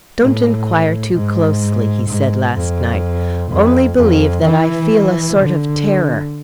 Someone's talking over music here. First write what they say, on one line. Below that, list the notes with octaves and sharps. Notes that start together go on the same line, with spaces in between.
Don't enquire too closely,' he said last night; 'only believe that I feel a sort of terror.
A2
G#2
G#2
F2
F2
F2
E3
D3